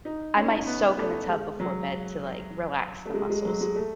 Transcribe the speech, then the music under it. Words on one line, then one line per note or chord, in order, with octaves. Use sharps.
I might soak in the tub before bed to, like, relax the muscles.
D#4
C#4
D#4
C#4
B3
A3
G#3
F#3
A3
G#3
G#3
F#3
G#3
A3